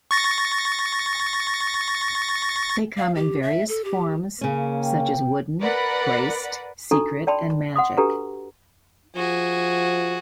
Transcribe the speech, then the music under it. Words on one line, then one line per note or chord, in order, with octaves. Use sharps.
They come in various forms, such as Wooden, Braced, Secret, and Magic.
C#6 A6 A#6
F5
G4
E5
A4
G4
C#3 A#3 C#4
G5
A#4 B4 D5 F#5 B5
D4 D#4 F#4 A4 A#5 C#6
D5 G5 A5 B5 C6
F#5 C6 D#6
D4 F#4 G4 A4 B4 A#5
F3 F#4 G#4